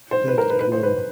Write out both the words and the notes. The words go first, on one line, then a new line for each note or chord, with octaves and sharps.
That's cool.
C5
B4
A#4
B4
B4
C5
B4